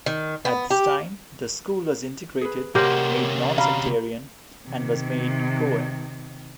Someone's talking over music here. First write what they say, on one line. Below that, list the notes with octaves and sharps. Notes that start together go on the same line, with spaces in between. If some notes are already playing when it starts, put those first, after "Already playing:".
At this time, the school was integrated, made non-sectarian, and was made co-ed.
D#3
B3
G4
G#4 B4
C3 A#3 C#4 G4 C5 C#5 D#5 F#5
F#4 F5 A#5 B5
C3 D#3